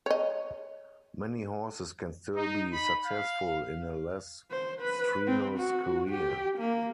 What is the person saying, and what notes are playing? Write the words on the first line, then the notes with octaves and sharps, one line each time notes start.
Many horses can still be successful in a less-strenuous career.
C#5 D#5
D#4
B5
F5
C5
B4
C4
F#4
G4
A#3